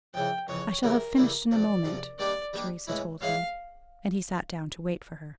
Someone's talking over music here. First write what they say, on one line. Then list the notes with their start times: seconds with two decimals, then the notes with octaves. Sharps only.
"I shall have finished in a moment," Theresa told him, and he sat down to wait for her.
0.14 F2 C#3 E3 G5
0.48 F2 C#3 E3 C#5
0.83 C#3 E3 G3 C4 E4 A#4
1.17 C#3 E3 G3 C4 E4
1.51 E2 C3 F3 D5
1.85 E2 C3 F3
2.19 D#3 G3 A#3 D4 G4 D5
2.53 D#3 G3 A#3 D4 G4
2.87 A2 E3 G#3 C#4 E4
3.21 A2 E3 G#3 C#4 E4 F5